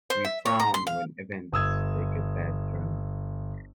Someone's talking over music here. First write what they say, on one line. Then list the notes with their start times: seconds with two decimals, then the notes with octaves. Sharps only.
We frown when events take a bad turn.
0.10 C5
0.25 E5
0.46 C#5
0.60 A#5
0.74 C6
0.87 F5
1.52 G1 D#6 E6 G#6